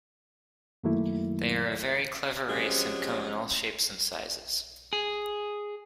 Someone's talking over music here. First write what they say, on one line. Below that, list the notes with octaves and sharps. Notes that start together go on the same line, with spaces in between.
They are a very clever race and come in all shapes and sizes.
F#2 D#3 F#3 A3 A#3 E4
C3 F3 F#3 G#3 C#4
G#4